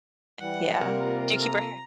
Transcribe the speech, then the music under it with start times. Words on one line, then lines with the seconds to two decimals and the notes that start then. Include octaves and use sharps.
Yeah. Do you keep her hair
0.40 E3 G3 F#5
0.81 C3 G3 A#3 F4 A#4
1.38 A#3 A4 A#5